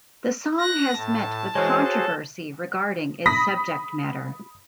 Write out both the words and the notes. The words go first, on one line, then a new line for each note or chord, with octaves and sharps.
The song has met with controversy regarding its subject matter.
F#6 A#6
A2 A5
E3 G#3 F#4 G#4 C5 C#5
A4
B5 D#6 A#6 B6